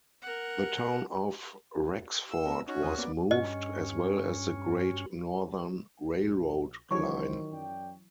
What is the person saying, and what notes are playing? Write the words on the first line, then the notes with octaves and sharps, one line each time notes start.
The town of Rexford was moved, as well as the Great Northern Railroad line.
A#4 F#5
E6
B3 A#4
C#4 D#4 F#4
E2 D#6
A#3 B3 D5
G2 C#4 D#5
A#1
F#1 D#3 E3 F#3 F4 C5 C#5 C#6
F#2 D5 G5